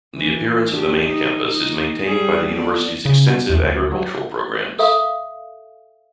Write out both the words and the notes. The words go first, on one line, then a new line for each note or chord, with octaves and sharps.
The appearance of the main campus is maintained by the university's extensive agricultural programs.
E3
D4 G4
D#4
D#4
G3 G#4
B3 A4 D5
C#3
B2
E2
D2
F#3
A4 E5 F5